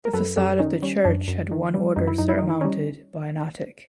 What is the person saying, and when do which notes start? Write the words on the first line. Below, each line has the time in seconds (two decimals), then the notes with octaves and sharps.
The facade of the church had one order surmounted by an attic.
0.05 A#4
0.13 F#2 A4 B4
0.36 F#2 G4 A4
0.59 D#3 C#4 D#4
0.83 G3 C#4
1.05 F#2 D4
1.28 F#2
1.51 D#3
1.74 G3
1.96 F#2 D#4
2.07 E4
2.18 F#2 D#4
2.29 E4
2.39 D#3 D#4
2.50 E4
2.61 G3 C#4 D#4